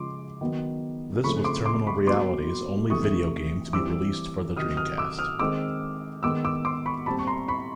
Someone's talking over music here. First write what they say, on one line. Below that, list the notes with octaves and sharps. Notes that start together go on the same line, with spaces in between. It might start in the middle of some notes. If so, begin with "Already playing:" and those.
This was Terminal Reality's only video game to be released for the Dreamcast.
Already playing: C#3 F3 G#3 C6 D6
D#3 F#3 B3
C#3 F3 A3 C4 B5 C#6
C6 D6
C6 D6
B5 C#6
B2 F#3 A#3 C6 D6
C3 E3 A3 C#6 D#6
E3 G3 C4 D6 E6
C3 D#3 F#3 D#6 F6
D#6 F6
D6 E6
D#6 F6
D#3 G#3 C4 D6 E6
D#3 G#3 B3 D6 E6
D6 E6
C6 D6
B5 C#6
A#2 G3 C4 A5 B5
C#6
A#5 C6
B5 C#6